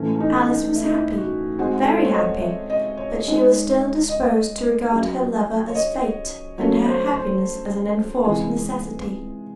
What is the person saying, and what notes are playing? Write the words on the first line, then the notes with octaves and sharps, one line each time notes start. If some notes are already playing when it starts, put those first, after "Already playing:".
Alice was happy, very happy; but she was still disposed to regard her lover as Fate, and her happiness as an enforced necessity.
Already playing: A2 E3 A3 C#4
C#4
D#4
D#4
E4
D#4
E4
F#4
G#3 C4 F#4 G#4
A4
C5
C#5
D#5
E5
D#5
C#5
G#3 D#4 G#4
D#5
F#3 C#4 G#4
C#5
D#5
F#3 A3 C#4 C#5
C5
C5
C3 E3 G#3 G#4